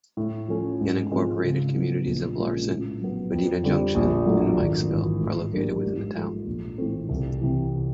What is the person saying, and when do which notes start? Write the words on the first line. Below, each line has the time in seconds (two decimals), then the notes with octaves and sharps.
The unincorporated communities of Larsen, Medina Junction, and Mikesville are located within the town.
0.17 A2
0.48 F3 A3 C#4
0.81 G#2
1.12 F3 G#3 C4 F4
1.43 C#3
1.74 F#3 B3 E4
2.06 A#1
2.37 A#2 F3 G#3 C#4
2.69 A2
3.01 F#3 B3
3.32 F2
3.64 D3 G3 C4
3.95 A#1
4.26 A2 F#3 A3 D4
4.58 G#1
4.89 G#2 E3
5.21 A2
5.52 F#3 A#3 D4 G4
5.83 G#2
6.15 F3 A3
6.46 A#1
6.78 A2 E3 A3 C4
7.09 C2
7.41 C3 E3